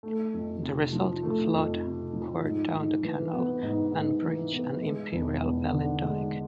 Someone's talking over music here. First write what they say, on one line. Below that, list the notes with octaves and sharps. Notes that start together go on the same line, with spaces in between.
The resulting flood poured down the canal and breached an Imperial Valley dyke.
A3
F2
C3
F3
A3
F2
C3
F3
G#2
G#2
E3
B3
G#2
G#2
E3
B3
G#3
E1
E2
D3
G#3